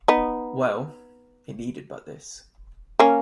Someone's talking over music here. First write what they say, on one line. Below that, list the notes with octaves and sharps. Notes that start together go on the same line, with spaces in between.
Well, it needed but this.
B3 D#4
A#3 C#4